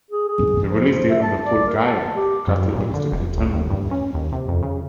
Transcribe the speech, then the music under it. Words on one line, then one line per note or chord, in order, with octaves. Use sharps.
The release date of the full "Gaia" catalogue is to be determined.
G#4
G#4
F3
C5
E5
A5
D5
A#4
A5
G4
F#2
A#2
D3
F1
C#2
D#2
G2
C#4
D#2
C3
F2
C#3